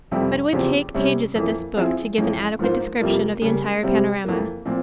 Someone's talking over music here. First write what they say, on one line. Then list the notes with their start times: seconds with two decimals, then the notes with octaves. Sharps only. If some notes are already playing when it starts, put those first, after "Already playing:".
But it would take pages of this book to give an adequate description of the entire panorama.
0.11 F2 C3 G3 C4 G4
0.52 E2 C#3 F3 C4 G4
0.94 C3 G3 C#4
1.35 F2 E3 A#3
1.77 F3 C4 E4 G#4
2.18 F2 E3 G#3 C#4
2.59 G#2 F3 A#3 F4 C5
3.01 F2 C3 G3 A#3 F4
3.42 C#3 G3 A#3
3.83 C3 G3 C4
4.25 F2 E3 A#3
4.66 A#2 F3 C4